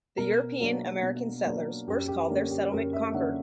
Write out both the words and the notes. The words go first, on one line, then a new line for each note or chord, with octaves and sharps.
The European-American settlers first called their settlement Concord.
B2 A#4
F#3 A#3 D4
B2
F#3 A#3 D4
F#2 G4
G4
D3 A#3 C#4 A#4
G4
F#2 A#4
E5
D3 A#3 C#4 F#5